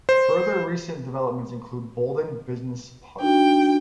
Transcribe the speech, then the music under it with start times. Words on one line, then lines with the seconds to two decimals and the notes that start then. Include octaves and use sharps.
Further recent developments include Boldon Business Park.
0.09 C5
3.20 D4 D#4 F#4 G5